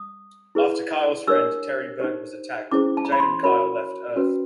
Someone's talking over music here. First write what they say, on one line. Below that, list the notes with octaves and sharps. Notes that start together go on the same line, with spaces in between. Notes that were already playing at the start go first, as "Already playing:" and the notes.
After Kyle's friend, Terry Berg, was attacked, Jade and Kyle left Earth.
Already playing: D#6
E4 G#4 B4
D4 G4 A#4 C#5 E6
D#4 G4 C5
C#4 E4 G#4 C5 D6
A5
A#5
B5
C6
F#4 A#4 C#5 B5
C#4 F#4 B4